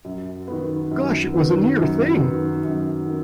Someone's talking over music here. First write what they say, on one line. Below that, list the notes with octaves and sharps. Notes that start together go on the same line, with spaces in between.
Gosh, it was a near thing!
F#2
D#3 B3
F#2
D#3 B3
F#2
D#3 B3
F#2
D#3